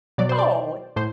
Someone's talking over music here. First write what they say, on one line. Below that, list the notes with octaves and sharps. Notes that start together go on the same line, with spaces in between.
Oh, it
B2 F#3 D5
C5
D5
A2 C5